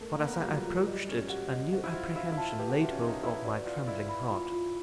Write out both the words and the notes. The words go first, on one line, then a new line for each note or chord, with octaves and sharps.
But as I approached it a new apprehension laid hold of my trembling heart.
A3 A#4
A#3
B3 A#4
A#3
G3
F#3 F4
F4
G3 D#5
C#4 A#4
F#4 G4
D#5
F#4 C5
E4
F4 C5
E4 F5
E4
F4 A5
G4 B4
F#4
F4 E5
C#4
D#4 E5
E4 B4
F#4 D5
F4 D5
E4 D5
B5
F4
F4